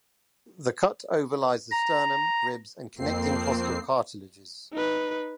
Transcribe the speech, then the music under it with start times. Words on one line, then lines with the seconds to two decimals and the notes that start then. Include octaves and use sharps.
The cut overlies the sternum, ribs and connecting costal cartilages.
1.71 A#5
2.97 F2 A#3 C4 C7
4.73 D#4 B4